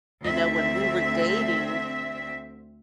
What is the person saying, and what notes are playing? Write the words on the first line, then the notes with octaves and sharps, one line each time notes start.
you know, when we were dating
D2 C4 E5